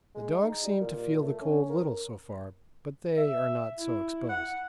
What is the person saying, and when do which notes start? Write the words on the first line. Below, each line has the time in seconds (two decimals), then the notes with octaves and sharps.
The dogs seem to feel the cold little so far, but they are not so exposed.
0.15 G#3
0.42 D#4
0.63 G3
0.81 A#2
1.21 A3
1.41 C#4
1.69 A#4
3.17 E5
3.78 E4
4.29 F#5